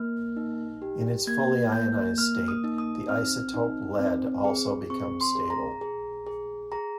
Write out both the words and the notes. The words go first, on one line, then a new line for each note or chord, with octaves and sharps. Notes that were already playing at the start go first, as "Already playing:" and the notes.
In its fully ionized state the isotope Pb also becomes stable.
Already playing: A#3 F6
D#4
G4
A#3 G#6
A#3 G6
A#3 F6
D#6
D#4
D#6
C4 F6
D#4
C4
G#4
C4 C#6
C6
G#4
A#5
G#4
G#4
G#4 A#5